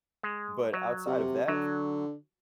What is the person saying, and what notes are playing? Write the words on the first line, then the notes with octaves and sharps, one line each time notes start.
but outside of that,
G#3
F#3
C3
D3 F#3